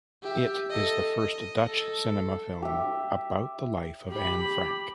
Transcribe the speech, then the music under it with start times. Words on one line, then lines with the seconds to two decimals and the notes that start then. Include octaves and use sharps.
It is the first Dutch cinema film about the life of Anne Frank.
0.22 G4 E5
0.70 A4 D#5
1.17 D#5
1.67 A4
2.62 G4 E5
4.09 G4 B5